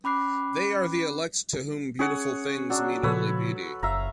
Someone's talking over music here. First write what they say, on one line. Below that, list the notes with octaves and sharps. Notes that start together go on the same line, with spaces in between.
They are the elect to whom beautiful things mean only beauty.
C#4 B5 D6 F#6 C7
C#4 G#4 C#5 F#5
F#3 D4
A#2 C#3 F3 A4 B4 C#5
F#1 E5 F5 A#5